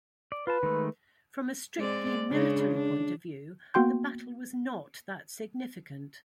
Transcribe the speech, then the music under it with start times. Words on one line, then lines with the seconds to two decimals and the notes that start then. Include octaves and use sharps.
From a strictly military point of view, the battle was not that significant.
0.32 D5
0.47 F4 B4 A5
0.63 D#3 G#3 A3
1.76 G#3 C4 D5
2.31 C#3 G#3 D4
2.73 D4
3.74 A#3 B3 F#4 G5 C6 G6